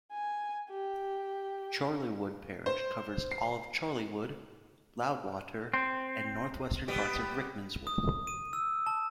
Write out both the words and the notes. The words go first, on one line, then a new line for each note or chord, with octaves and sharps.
Chorleywood parish covers all Chorleywood, Loudwater and north-western parts of Rickmansworth.
G#5
G4
C5
C7
C4
G3 B3 G4
D#6
D#7
E6
A5